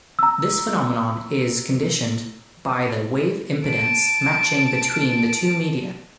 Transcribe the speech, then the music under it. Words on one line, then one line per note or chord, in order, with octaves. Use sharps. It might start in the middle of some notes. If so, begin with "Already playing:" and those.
This phenomenon is conditioned by the wave impedance matching between the two media.
A#5 E6
A5 D7